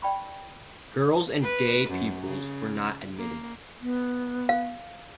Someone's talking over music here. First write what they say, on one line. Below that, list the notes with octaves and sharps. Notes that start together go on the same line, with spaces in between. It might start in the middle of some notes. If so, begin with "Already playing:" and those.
Girls and day pupils were not admitted.
D5 G5 A5 B5 C#6
B4
F#2
C#3
A#3
B3
F5